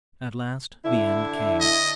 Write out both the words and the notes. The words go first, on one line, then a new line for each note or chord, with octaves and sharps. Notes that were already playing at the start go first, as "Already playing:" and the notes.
At last the end came.
D3 E4
D#5